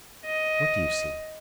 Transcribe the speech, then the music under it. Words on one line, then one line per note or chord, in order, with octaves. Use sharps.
"What do you see?"
D#5